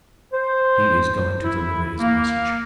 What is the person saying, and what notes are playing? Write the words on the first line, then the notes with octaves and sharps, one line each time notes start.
He is going to deliver his message.
C5
E4
A#3